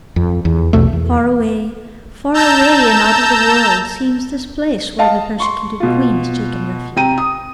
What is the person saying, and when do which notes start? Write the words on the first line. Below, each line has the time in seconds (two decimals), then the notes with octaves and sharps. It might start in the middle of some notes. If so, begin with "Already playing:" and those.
Far away, far away and out of the world seems this place where the persecuted Queen has taken refuge.
0.16 F2
0.45 E2
0.73 A#1 E2 B2 A3
0.93 E2
2.34 A5 A#5 E6 G6
4.99 D#5 F5 A5
5.40 C6 C#6
5.80 B2 F4
6.96 C3 G5 A#5 D#7
7.18 D#6